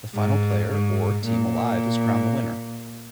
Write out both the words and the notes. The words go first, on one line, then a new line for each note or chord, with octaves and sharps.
The final player or team alive is crowned the winner.
G#2
G#2
A#2